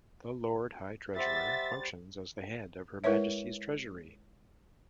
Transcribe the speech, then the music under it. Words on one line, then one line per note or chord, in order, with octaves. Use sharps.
The Lord High Treasurer functions as the head of Her Majesty's Treasury.
G3 C5 E5 F#5 A6
G#3 E4 A#4 B4 C#5 E5